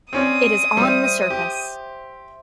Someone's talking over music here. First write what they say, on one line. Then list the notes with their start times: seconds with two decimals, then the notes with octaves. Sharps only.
It is on the surface.
0.13 C4 C#4 D5 D#6
0.77 G3 C5 E5
1.30 G4